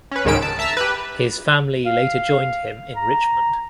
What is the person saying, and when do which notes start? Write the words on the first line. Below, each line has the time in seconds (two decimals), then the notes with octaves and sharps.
His family later joined him in Richmond.
0.12 C#4 B4
0.25 C#2 G#2 D#3 C#4 E6 D7
0.42 A5
0.59 E5 A5 A#5 E6
0.77 G4 B4
1.86 F5
2.96 A#5